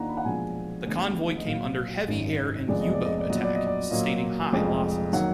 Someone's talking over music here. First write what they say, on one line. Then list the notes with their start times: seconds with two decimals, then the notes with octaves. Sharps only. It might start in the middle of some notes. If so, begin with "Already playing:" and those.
The convoy came under heavy air and U-boat attack, sustaining high losses.
Already playing: D#2 D#3 A#3 D4 F4 F#5 A#5
0.09 B5
0.17 F#5
0.25 B1 A#2 F3 G#3 D4 G#5
0.85 D2 D3 G#3 B3
1.36 D#5
1.46 A#1 A#2 F#3 F5
2.07 G#1 F#2 D#3
2.68 F1 F2 F3 G#3 B3 D5
2.81 D#5
2.93 D5
3.05 D#5
3.18 D5
3.29 A#2 F#3 B3 D#5
3.43 D5
3.55 D#5
3.67 D5
3.90 A#2 F#3 A#3 F4 D#5
4.52 F1 F2 F3 G#3
5.13 D#3 F#3 A#3 F#5